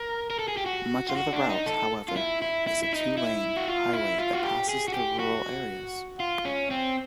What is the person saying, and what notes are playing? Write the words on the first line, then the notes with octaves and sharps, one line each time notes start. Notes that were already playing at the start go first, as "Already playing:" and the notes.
Much of the route, however, is a two-lane highway that passes through rural areas.
Already playing: A#4
A#4
A4
G#4
G4
F#4
F4
F#4
D4
D#4
A4
F4
E4
E4
E4
E4
D#4
E4
F#4
F4
E4
F4
F#4
G4
G#4
F#4
G4
F#4
F4
C#4
C4